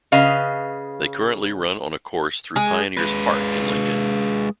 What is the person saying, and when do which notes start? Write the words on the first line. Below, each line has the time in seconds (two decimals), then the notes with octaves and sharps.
They currently run on a course through Pioneer's Park in Lincoln.
0.12 C#3 B4 D#5 F5
2.56 G#3
2.97 G#3 B4